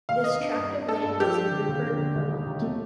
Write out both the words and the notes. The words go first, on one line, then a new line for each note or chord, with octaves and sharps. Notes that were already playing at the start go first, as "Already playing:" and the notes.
This tract of land is in Rupert, Vermont.
D#2 F5
A#3 D#5
D4
G2
D4
D4 A4
G2
F3 G4
D4
D3
D#2
D3
D3
D#2
D#4
D#2
A3